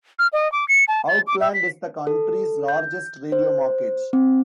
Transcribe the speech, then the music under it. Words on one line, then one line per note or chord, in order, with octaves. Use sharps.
Auckland is the country's largest radio market.
F6
D#5
D6
C#7
A5
A6
D6
E5
B6
A4
G6
C5
C4